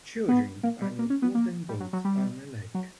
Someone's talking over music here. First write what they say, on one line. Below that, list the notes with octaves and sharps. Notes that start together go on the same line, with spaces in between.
Children are in wooden boats on a lake.
B3
A#3
G3
A#3
C#4
B3
A#3
G3
F#3
F#3
G3
F#3